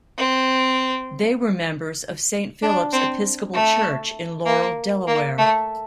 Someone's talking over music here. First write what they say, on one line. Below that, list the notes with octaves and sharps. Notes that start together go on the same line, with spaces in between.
They were members of Saint Philip's Episcopal Church in Laurel, Delaware.
C4
D4
C4
A3
A#3
A#3
A3